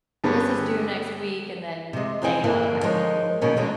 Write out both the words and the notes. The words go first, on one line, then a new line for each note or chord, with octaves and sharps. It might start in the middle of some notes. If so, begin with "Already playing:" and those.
this is due next week," and then day of, I'd be,
G2 D3 G#3 B3 C#4 G4
C3 G#3
F2 E3 C4 D#4 G#4 G5
G2 D3 A#3
F3 G#3 D#4 A#4 C#5
B2 D#3 A#3 B3 C#4
D2 D3 F#3 G#3